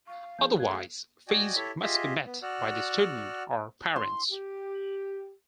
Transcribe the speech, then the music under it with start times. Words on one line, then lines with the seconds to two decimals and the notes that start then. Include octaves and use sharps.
Otherwise fees must be met by the student, or parents.
0.07 F5 C#6
0.39 F3 G#4 A5 G6
0.56 F#2 A3 F#4 G#4 F5 F#6 G#6
1.28 F#4 D5 D#5 G5 G#5
1.56 E4 G4 A4 C#5 E5
1.82 F4 G4 G#4 D#5 E5
2.25 B3
2.42 F#4 D5 F#5 E6 F6
3.96 C6
4.30 G4